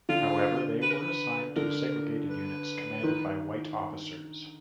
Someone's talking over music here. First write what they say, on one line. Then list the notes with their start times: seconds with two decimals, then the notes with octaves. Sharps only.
However, they were assigned to segregated units commanded by white officers.
0.09 D3 F4
0.82 B4
0.91 A#4
0.98 B4
1.56 D3 A#4
2.30 B4
3.03 D#3